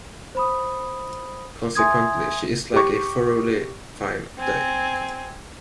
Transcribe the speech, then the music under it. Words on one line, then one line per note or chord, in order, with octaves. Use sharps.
Consequently she is like a thoroughly fine day.
C5 B5 D#6
E5 G#5 C6 D#6 G#6
G4 C#6
C4 G#5